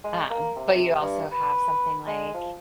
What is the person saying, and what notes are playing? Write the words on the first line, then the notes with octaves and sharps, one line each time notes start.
um, but you also have something like
G#3
A#3
C3
G2
B4
G#3
F3